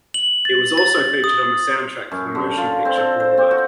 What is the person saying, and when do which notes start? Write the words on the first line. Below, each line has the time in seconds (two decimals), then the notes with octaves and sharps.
It was also featured on the soundtrack for the motion picture "Bulworth".
0.14 F#7
0.45 A6
0.78 A6
1.24 D#6
2.12 F#2
2.35 D3
2.57 F4
2.85 C4
2.97 A4
3.20 C5
3.38 C4
3.51 F#4